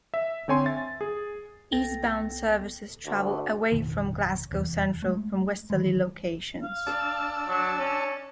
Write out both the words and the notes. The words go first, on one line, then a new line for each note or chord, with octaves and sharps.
Eastbound services travel "away from" Glasgow Central from westerly locations.
E5
D3 C4 C#5 G#5 C6
E5 A6
G#4
C2 B3 A4 G5 A6 A#6
D2
A1 F2 B2 D#3
F1 E2
G#3 A3
D#3 E3 G3 G#3
F5
D4 A5 E6
F#3
C#4